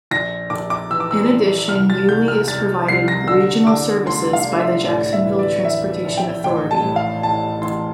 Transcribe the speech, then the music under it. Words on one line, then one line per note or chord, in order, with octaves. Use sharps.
In addition Yulee is provided regional services by the Jacksonville Transportation Authority.
A#1 A#6
A#1 D6
D6
E3 E6
D6
E6
E3
C2 F6
A6
C2 G6
F6
C2 A6
C2 C7
A#6
D3 E6
D3 D6
D2 C6
F5
D3
E5
A2 D5
E5
E3
D5
E3 E5
A#1
G5
A1 G5
A5
A2
F5
A2 A5
A1 C6